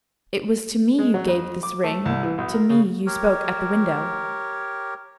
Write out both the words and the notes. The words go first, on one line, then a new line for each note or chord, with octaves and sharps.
"It was to me you gave this ring; to me you spoke at the window."
G#3
F#3
F2
D6
A3
C2
E3
B1
A#4
C#3
G4 A#4 C#5